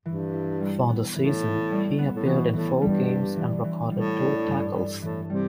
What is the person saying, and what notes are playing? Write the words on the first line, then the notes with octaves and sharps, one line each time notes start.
For the season, he appeared in four games and recorded two tackles.
G2 E3
E4
G3
B3
A2 E3
E4
G3
B3
A2
B2 E3
A2 E3
G2 G3
D4
E3
E3
A2 G3
D4
G2
G2
A2 E3
C3 G3